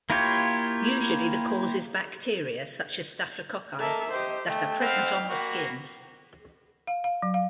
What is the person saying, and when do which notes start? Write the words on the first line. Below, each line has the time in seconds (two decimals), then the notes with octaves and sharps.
Usually, the cause is bacteria such as staphylococci that are present on the skin.
0.10 A#3 E4 F4 G4 C#5
3.79 A#3 A4 D#5 E5
4.12 G4 C5 D#5
4.47 A3 D#5 G5
4.80 C4 F5 F#5 B5
5.29 A#3 F#4 B5
6.87 F5
7.04 F5
7.22 F#3
7.34 F5